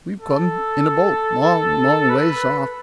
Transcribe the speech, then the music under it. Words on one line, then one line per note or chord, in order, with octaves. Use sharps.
We've come in a boat, long, long ways off.
A4
B4